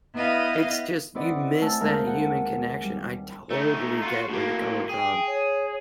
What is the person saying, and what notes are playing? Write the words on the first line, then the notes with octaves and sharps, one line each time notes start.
It's just you miss that human connection. I totally get where you're coming from.
B3 E4 B4 D#5 F5
C4 E4 B4 D5 D#5 F#5
E6
A3 G#5 A5 E6 F#6
D#2 G#3 A#4 F5 A5 G6
F#5
G3
A3 D#4 A#5
F4 F#4
A2 A#3 F#4
G#4 G5
C#5